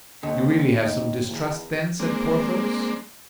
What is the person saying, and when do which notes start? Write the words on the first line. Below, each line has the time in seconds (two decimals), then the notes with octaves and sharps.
"You really have some distrust, then?" said Porthos.
0.23 D#2 D3
0.83 D#4
1.28 E2
2.00 G#3 A#3 C4 D4